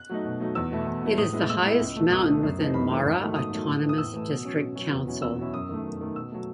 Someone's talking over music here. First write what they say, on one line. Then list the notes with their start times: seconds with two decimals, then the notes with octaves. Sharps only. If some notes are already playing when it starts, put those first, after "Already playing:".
It is the highest mountain within Mara Autonomous District Council.
Already playing: F#6
0.10 F#3 A3 D#4
0.25 B2
0.40 F#3 A3 D#4
0.55 E2 E6
0.71 B2 A3 E4
0.87 E2
1.03 B2 A3 E4
1.18 A2 D#6
1.33 G#3 B3 E4
1.49 A2 E6
1.65 G#3 B3 E4
1.81 C#2
1.96 B2 A3
2.11 C#2 D#6
2.27 B2 A3
2.43 F#2
2.59 E3 A3 D#4
2.74 F#2 B5
2.89 E3 A3 D#4
3.05 G#2
3.21 D#3 F#3 A3
3.36 G#2 D#6
3.51 D#3 F#3 A3
3.66 A2
3.82 E3 A3
3.89 D#6
3.98 A2 E6
4.14 E3 A3
4.29 B2
4.44 F#3 C#4
4.60 B2
4.76 F#3 C#4
4.92 E2
5.07 B2 F#3 C#4 E4
5.22 E2 E6
5.38 B2 F#3 C#4 E4
5.53 F#2 D#6
5.69 D#3 A3
5.85 F#2
6.01 D#3 A3
6.16 B2 E6
6.32 F#3 A3